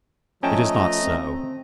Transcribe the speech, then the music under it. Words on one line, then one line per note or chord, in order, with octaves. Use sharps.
It is not so.
F3 A3 C#4 D#5 G5 A5 A#5
C4